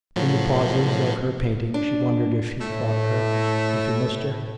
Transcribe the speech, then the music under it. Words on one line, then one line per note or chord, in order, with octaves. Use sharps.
In the pauses of her painting she wondered if he thought of her, if he missed her.
A2 F3 F#3
D4
A2 A3